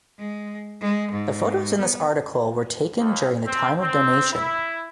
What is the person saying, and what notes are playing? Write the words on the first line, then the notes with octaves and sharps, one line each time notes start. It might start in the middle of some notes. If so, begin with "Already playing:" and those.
The photos in this article were taken during the time of donation.
G#3
G#3
G#2
B3
D#2
C4
C4
E4